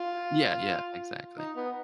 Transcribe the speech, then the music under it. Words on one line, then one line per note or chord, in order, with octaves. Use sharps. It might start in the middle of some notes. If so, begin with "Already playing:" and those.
Yeah, yeah, exactly.
Already playing: F4
D#4
B3